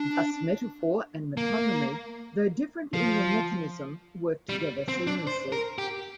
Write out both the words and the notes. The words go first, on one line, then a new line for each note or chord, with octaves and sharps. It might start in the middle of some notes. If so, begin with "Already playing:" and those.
Thus, metaphor and metonymy, though different in their mechanism, work together seamlessly.
Already playing: D4
A#3
F3
G3
C4
D4
C5
A#4
G4